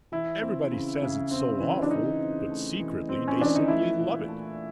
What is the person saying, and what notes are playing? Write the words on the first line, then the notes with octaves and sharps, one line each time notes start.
Everybody says it's so awful, but secretly they simply love it.
E3 E4
C4
C#3
C#3
C4
E3
D4
C#3 D#4
C4
A3
E3
C4
C#4
E3 D4
D#4
A3 E4
A#2
A3